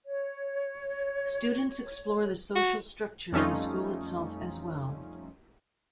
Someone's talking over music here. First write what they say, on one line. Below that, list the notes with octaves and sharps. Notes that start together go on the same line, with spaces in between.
Students explore the social structure of the school itself as well.
C#5
F#4
F2 G3 A3 C#4 D#4 F4